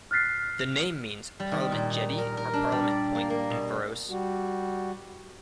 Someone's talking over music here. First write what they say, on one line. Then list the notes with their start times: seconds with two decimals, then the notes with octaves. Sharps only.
The name means "parliament jetty" or "parliament point" in Faroese.
0.11 F6 F#6 A6 B6 C7
1.40 G3
1.52 D#3
1.72 A#2
1.90 D#4
2.18 A#4
2.37 A#4
2.53 D4
2.72 G3
2.90 D5
3.15 A#3
3.30 A#3
3.50 B2
4.10 G3 F#4